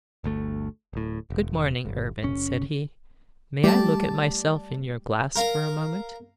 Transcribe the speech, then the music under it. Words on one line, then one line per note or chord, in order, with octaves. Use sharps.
'Good morning, Urban,' said he; 'may I look at myself in your glass for a moment?'
G1 D2 A3
D1 A2
E1
G1
F#1 C#4
G3 A3 G4 D5 A5
A#4 F5 A#5